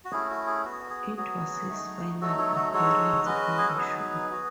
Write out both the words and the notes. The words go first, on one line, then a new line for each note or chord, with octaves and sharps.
It was his final appearance on the show.
F#4
A3 C#4 E4 G#4
F#4
G#4
B3 F#4
G#4
F#3 B3 F#4 G#4
A3 D#4 F#4
F#3 A3 D#4 F#4 A4
A4 C#5
F#4 A4
G#3 D#4 F#4 A4 C#5
G#3 C#4 F#4 B4 D#5
G#4
A4
F#3 B3 D#4 G#4 B4
B3 F#4